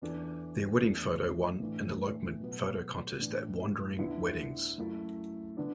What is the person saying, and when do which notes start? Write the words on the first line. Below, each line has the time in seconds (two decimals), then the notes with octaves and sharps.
Their wedding photo won an elopement photo contest at Wandering Weddings.
0.02 E2 E3 D4 A4
0.81 E2 D3 A3 D4
1.60 A2 E3 A3 D4
2.40 B2 F#3 B3
3.19 A2 E3 D4
3.98 D2 D3 B3 E4
4.78 F#2 F#3 A3 E4 A4
5.57 D3 B3 D4